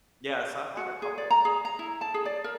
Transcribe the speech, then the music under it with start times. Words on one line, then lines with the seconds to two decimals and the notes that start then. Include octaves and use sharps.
Yeah, so I've had a couple.
0.77 F#4
1.02 G#4
1.18 D5
1.31 A#5
1.45 G#4
1.65 A#5
1.79 E4
2.01 A5
2.14 G#4
2.26 D5
2.44 A#4